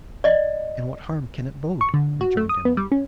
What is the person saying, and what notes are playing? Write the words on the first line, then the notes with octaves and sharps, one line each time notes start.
'And what harm can it bode?' rejoined Emily.
D5 D#5
C#6
D3
F#4
A3
D#6
B3
G3
C#4